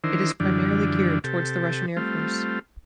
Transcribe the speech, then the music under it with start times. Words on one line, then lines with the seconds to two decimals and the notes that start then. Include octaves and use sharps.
It is primarily geared towards the Russian Air Force.
0.04 D#3 E3 D4 E4 A#4 C5
0.40 F#2 D3 E3 F3 G3 D4
1.24 C3 G4 A4
1.97 G3 A3 C4 F4